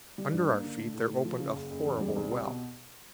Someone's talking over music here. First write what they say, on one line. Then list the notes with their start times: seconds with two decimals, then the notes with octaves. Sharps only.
Under our feet there opened a horrible well.
0.18 G3
0.33 G2
0.48 A#3
0.64 D3
0.79 A3
0.94 A2
1.10 A2
1.25 F3
1.40 C#3
1.55 F#1
1.70 F#1
1.86 E2
2.01 G3
2.16 C2
2.31 C2
2.46 B2